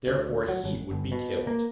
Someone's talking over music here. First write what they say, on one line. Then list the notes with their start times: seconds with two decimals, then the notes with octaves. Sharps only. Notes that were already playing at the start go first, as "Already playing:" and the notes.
Therefore he would be killed.
0.07 D2
0.48 F#3
0.64 G#1
0.91 G1
1.12 B2
1.47 A#3